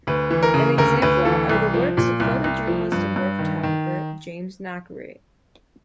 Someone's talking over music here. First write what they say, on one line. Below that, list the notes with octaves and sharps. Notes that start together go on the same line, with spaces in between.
An example are the works of photojournalist and war photographer James Nachtwey.
D2 B4
E3
A#4
C#3
D2 A#4
D2 B4
E3 A4
C2
F3
A#2
C2
C2
F3
G2
G2
D#3
D#3